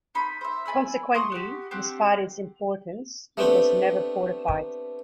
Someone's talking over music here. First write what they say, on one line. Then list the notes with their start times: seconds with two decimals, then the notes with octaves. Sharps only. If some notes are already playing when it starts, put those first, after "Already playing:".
Consequently, despite its importance, it was never fortified.
0.15 A#3 D#4 B5 C6
0.41 C5 E5
0.66 D5 G#5 B5 E6
1.14 E4 C6 C#6 D#6
1.32 F#4 G4
1.71 C4 D4 G4 F#5
3.37 A3 B3 C4 D4 G4